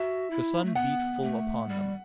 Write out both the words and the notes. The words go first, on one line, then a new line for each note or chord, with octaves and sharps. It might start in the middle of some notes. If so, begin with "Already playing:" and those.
The sun beat full upon them.
Already playing: F#4 E5
E4
A3
B3 F#5
A3
G3